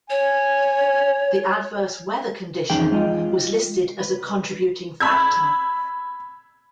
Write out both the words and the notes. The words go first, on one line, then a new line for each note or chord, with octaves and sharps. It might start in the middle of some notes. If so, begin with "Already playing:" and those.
The adverse weather condition was listed as a contributing factor.
C#5 G#5
F2 E3 C#4 D#4 G#4 G5
G#3 F4 D#5
B4
B5 E6 G#6